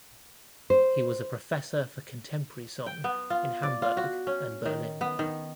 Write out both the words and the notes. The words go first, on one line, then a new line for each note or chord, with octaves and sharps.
He was a professor for contemporary song in Hamburg and Berlin.
C5
G5
B3
F4
D5
F4
F#4
C#4
D#3
B3
D#3